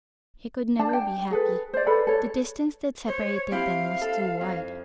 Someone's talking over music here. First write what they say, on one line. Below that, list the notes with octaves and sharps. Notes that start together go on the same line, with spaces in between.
He could never be happy; the distance that separated them was too wide!
D4 A5
G5
G#4 A4 B4
C5 D5
A4 B4 D5 B5
A4 C#5
C5 C#5
C4 E4 G4 F5
A4
F2